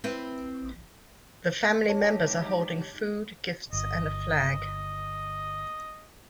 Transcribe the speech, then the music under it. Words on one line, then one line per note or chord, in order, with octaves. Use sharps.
The family members are holding food, gifts, and a flag.
C4 E4 B4
G#3 D#4 G4 C#5 A5
G1 D#5